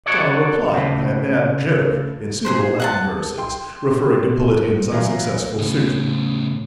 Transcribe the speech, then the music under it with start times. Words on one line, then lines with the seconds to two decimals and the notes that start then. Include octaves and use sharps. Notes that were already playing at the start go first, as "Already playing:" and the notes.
Scala replied by a bad joke, in suitable Latin verses, referring to Politian's unsuccessful suit.
0.06 D4 F#4 A4 C#5 D5
0.73 A2 C#3
2.45 G#4 B4 C5
2.80 F#5 G#5 A5
3.38 G5 C6
4.91 E3 F#3 E4 F4 A#4
5.59 A2 C#3